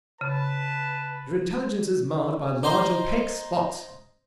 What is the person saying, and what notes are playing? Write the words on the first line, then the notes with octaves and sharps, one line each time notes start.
Your intelligence is marred by large opaque spots.
C#3 B4 A5
D#4 C5